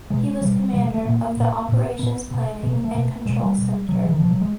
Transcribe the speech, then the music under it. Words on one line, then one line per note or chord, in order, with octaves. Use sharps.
He was commander of the Operations Planning and Control Center.
B2 G#3
B2 G3
B2 G3
G#3
A3
A#2 A#3
A#2
A#2
A#2 B3
B2
B2 B3
A#3
A3
B2
B2 G#3
G3
B2
B2 F#3
E3
D#3
B2 F3
F#3
G#3